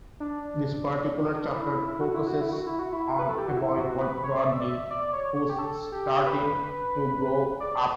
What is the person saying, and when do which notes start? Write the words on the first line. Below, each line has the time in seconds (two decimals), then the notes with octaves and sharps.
This particular chapter focusses on a boy called Rodney, who's starting to grow up.
0.20 D4
1.43 D4
1.54 E4
1.88 E4
2.01 F#4
2.14 E4
2.27 F#4
2.41 E4
2.53 F#4
2.67 E4
2.79 F#4
2.93 E4
3.19 B4
3.29 A4
3.38 G4
3.47 F#4
3.57 E4
3.79 F#4
4.01 B4
4.24 C#5
4.37 D5
4.46 E5
4.60 D5
4.69 E5
4.91 D5
5.13 C#5
5.36 C#5
5.49 G4
5.59 A4
5.92 G4
6.26 B4
7.60 D5